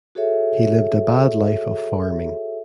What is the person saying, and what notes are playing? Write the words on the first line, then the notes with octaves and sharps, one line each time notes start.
He lived a bad life of farming.
F#4 G#4 A4 C#5 E5